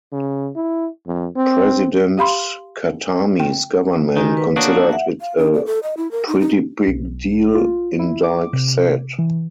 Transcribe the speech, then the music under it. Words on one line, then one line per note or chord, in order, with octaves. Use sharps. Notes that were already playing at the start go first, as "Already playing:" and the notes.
President Khatami's government "considered it a pretty big deal," Indyk said.
C#3
E4
F2
C4
G4 F5 B5 C6
G5
D#3 F#4 G4 G#5
B4
A#3 D4 F#4 C#5 D#6
E5 F#5
F5
D4
D5
A4
D#5
E4
A#4
D#4
D#4
B1
F4
E4
D6
C3
E3